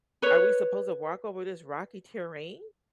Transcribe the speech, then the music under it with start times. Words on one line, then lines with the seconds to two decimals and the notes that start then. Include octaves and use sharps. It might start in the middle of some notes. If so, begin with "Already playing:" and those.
"Are we supposed to walk over this rocky terrain?"
0.22 B4 C#5